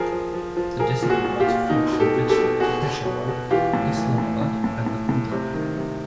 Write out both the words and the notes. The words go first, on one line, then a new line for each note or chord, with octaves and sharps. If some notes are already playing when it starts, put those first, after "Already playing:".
The district provides fruit and vegetables to Peshawar, Islamabad, and the Punjab.
Already playing: F3 G#4 A#4
F3
F3
F3
F3 G#4 A#4
A#2
F#4 G#4
A#2
F4 G4
A#2
B2 D#4
B2
G4 A4
B2
G4 A4
B2
B2 F#4 G#4
B2
B2
B2
E3 F4 G4
A2
E3
A2
A2
A2
A2
A2
C3
D#3
C3